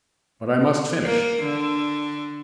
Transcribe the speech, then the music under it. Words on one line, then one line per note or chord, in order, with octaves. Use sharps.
But I must finish.
A#3
D3